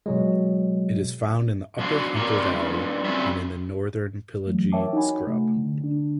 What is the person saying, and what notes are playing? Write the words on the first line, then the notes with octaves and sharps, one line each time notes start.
It is found in the upper Hunter Valley and in the northern Pilliga scrub.
B2 F#3 G#3
F3 B3 D4 F#4 F5
F2 A#3 G4 D5 A#5
D3 C4 F#4 G#4 A4 C5
G2 F3
C#3 F3 C4 F#4 D5 E5
E3 F#3 A3
A#4 C#5 E5 G5 A5 D6
D#4 F#4 C#5 F#5 G#5 B5
C3 A3
D3
D3 D4